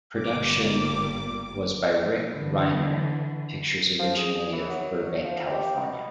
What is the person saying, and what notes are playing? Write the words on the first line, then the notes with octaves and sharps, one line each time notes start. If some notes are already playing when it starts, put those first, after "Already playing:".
Production was by Rick Reinert Pictures originally of Burbank, California.
G1 A#2 G3 A#3 D6
D3 E3
F3
G#4
E3
F#3
F#3
F3
G4
B2